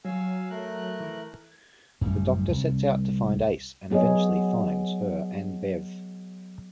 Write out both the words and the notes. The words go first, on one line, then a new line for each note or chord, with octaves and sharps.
The Doctor sets out to find Ace and eventually finds her and Bev.
F#3 F5 G#5 E6
A3 A#4 F#6
E3
A1 F#2 C#3 G3
C2
F#3 B3 G#4 C#5 D#5